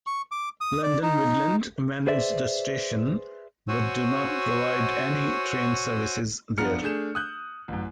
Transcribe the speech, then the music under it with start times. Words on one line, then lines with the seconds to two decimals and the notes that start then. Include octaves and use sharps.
London Midland manage the station but do not provide any train services there.
0.07 C#6
0.32 D6
0.61 D#6
0.83 D5
1.03 D#4
2.07 G#4 B4 C5 D5 E5
3.68 F#4 C5 C#5 F#5 G#5 E6
6.58 F3 B3 D4 A#5 F6 C#7
6.82 A3 D4 G#4 G6 E7
7.15 D#6 F#6 G6
7.68 A1 F#2